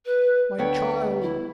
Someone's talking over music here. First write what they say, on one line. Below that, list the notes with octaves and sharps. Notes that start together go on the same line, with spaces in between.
My child!
B4
D2 B3 C#5 G5
E4